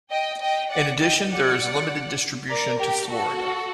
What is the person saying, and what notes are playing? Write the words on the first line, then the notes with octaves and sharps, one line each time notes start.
In addition, there is limited distribution to Florida.
D#5 G5
D#5 G5
D5 F#5
D#5 G5
D5 F#5
A#4 D5
G4 A#4
F#4 A4